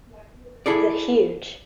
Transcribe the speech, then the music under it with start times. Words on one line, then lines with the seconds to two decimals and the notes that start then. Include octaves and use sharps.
The huge.
0.66 E4 G#4 A4 D5